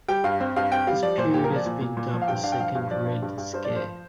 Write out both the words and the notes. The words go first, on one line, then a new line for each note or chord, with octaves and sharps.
This period has been dubbed the Second Red Scare.
G3 G5
G2 F5
C4
G2 F5
C4 G5
G3 F5
F3 D5
A#2 C5
A#2 G4
A#4
F3
D5
A#2
A#2
A#2
F3
F5
G2 G5
D4 F5
G5
F3 F5
G2
F3 D5
D4
G2
G2
G2 C5
F3 D5
C5